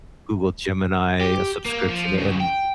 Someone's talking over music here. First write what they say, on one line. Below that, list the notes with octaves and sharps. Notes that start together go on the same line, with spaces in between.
Google Gemini subscription, and
G4
A#3
F3
D2 C#3
G5